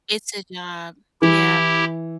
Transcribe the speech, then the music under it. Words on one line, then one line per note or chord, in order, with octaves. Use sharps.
It's a job. Yeah.
E3 E4 G4